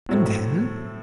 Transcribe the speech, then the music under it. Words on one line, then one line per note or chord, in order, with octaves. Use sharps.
"And then?"
A2 F#3 A3 C4